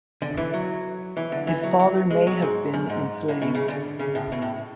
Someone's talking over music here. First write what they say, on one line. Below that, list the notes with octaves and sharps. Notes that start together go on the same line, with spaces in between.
His father may have been enslaved.
D3
E3
F#3
E3
D3
E3
F#3
F#3
G#3
F#3
G#2
F#2
G#2
A2
B2
C#3
D3
C#3
A2
B2
A2